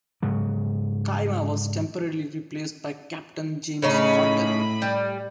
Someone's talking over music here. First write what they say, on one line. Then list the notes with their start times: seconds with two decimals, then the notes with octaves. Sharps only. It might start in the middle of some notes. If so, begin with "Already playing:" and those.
Cima was temporarily replaced by Captain James Horten.
0.22 G#2 C#3 F#3
3.82 A2 C#3 C#4 D#4 B5
4.82 G3